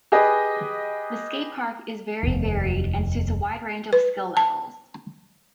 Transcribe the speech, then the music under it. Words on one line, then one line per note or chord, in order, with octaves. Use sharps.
The skatepark is vary varied and suits a wide range of skill levels.
G4 G#4 B4 D#5
F1 D#2
B4
A5